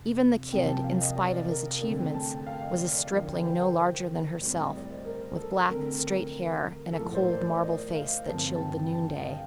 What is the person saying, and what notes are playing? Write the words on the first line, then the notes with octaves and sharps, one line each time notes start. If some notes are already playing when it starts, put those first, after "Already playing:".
Even the Kid, in spite of his achievements, was a stripling no larger than herself, with black, straight hair and a cold, marble face that chilled the noonday.
Already playing: F2 C3
C3 F3 A#3 G5
A5
G5
F5
D#5
D5
A#4
D3 A3 C4 A#4
G5
A5
G5
F5
D#5
D5
D5
D3 F3 A#3 D#5
G5
C5
A4
A4
A2 G3 C4
D#5
D5
C5
A#4
A4
D3 A3 C4 A#4
A4
A2 F3 A#3 A#4
C5
D5
D5
D#5
F5
G2 D3 F3 C4 A5
A5
G5
A5
G5
D#5
F5